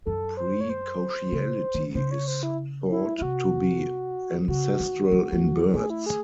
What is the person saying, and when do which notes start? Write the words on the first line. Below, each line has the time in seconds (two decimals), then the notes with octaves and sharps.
Precociality is thought to be ancestral in birds.
0.06 F#2 A4
0.37 C5
0.61 C#5
0.70 C5
1.32 C#3
1.74 D#3
1.95 C#3 C5
2.11 C#5
2.28 C5
2.43 E4
2.91 E4
3.18 E4
3.21 C3 F#4
4.48 C#3 F#4
4.80 D#3
5.11 F#3
5.32 A3
5.74 A3 G#4
5.90 E4
6.06 G#4